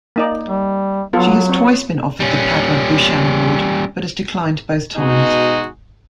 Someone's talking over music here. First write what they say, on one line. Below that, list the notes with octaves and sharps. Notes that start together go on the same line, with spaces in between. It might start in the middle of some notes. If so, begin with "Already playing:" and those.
She has twice been offered the Padma Bhushan award, but has declined both times.
A#3 D#4 D5
G3
F#3 B3 F4 A4
C4 C#5
G3 C#4
B2 G#3 D#4 F#4 G#4